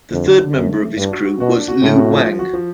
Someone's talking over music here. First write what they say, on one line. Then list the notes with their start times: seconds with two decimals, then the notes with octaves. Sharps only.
The third member of his crew was Liu Wang.
0.11 F2 D3
0.26 D3
0.40 D3
0.54 F#2 D3
0.69 A3
0.82 A3
0.97 G2 D4
1.11 F#4
1.25 F#4
1.40 B2 F#4
1.54 D4
1.68 F#4
1.82 A2 G#3
1.97 F#4
2.11 F3
2.25 F3
2.39 F#4
2.53 F3